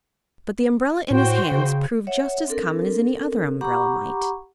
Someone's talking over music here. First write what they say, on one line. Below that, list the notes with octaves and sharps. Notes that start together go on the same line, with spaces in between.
But the umbrella, in his hands, proved just as common as any other umbrella might.
A2 F#4 C5 G5
C#3
C#5 E5 F#5
C4 D4 A4 A#4
G4 F#5 A#5 B5 C#6 D6